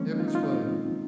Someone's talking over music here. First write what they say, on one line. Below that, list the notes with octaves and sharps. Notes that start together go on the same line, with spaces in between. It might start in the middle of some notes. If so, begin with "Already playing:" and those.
It was William.
Already playing: D#3 F3 F#3 G#3 A#3 C4 C#4
D#4
F4
D#4
F4
C4 D#4